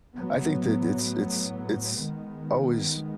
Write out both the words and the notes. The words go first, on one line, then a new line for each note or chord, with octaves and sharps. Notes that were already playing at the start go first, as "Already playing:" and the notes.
I think that it's it's it's always
A2 F#3 B3
D#3 G#3 B3